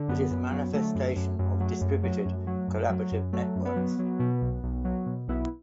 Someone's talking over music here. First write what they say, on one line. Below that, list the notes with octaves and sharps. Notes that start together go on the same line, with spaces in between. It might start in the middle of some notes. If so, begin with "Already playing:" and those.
It is a manifestation of distributed collaborative networks.
Already playing: D3
F#2 B3
F#2
F#3
D3 A3
F#2
F#2
F#2
F#3
F#2
F#3
F#2
F#3
F#2
F#3
F#2
F#3 A3
F#2
B3
F#3
F#3
B2
B1
B1
F#3
B2
B1 B3 E4